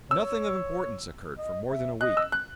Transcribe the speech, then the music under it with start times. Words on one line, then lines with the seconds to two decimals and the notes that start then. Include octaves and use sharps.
Nothing of importance occurred for more than a week.
0.11 C#5 E6
1.38 D#5
1.70 E5
2.01 D#5 F#6
2.17 E6
2.32 F#6